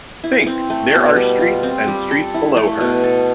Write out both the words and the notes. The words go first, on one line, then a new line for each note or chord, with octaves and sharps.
Think, there are streets and streets below her!
E4
C4
A3
B2
G3
F4
C4
G3
A4
E4
A3
B2
A4